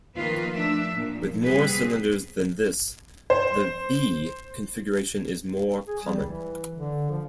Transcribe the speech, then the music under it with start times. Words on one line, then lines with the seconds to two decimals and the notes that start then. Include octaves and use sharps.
With more cylinders than this, the vee configuration is more common.
0.16 D#3 F3 A#3 F4 B4
0.52 F3 A3 D4 E5
0.94 A#2 F3
1.43 C3 G3 B3 C4 G#4 B4
3.30 C5
5.87 G#4
6.03 G3
6.24 E3
6.76 D3
7.10 F3